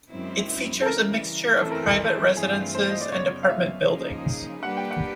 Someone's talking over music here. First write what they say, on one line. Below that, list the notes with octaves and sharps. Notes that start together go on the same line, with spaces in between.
It features a mixture of private residences and apartment buildings.
F#2 D#3 G#3 C4 E4
A4
C#3 E3 G3 A#4
E3 A3 C4 A4
A#4
A4
A#4
A4
G2 E3 A3 C4 F4 G#4
C5
D#5
D5
F#2 C#3 F#3 B3 C#5
F5
E5
C#3 F3 A#3 D#4 G#4
G3 A#3 D4 G4 B4 F#5
G5
F#5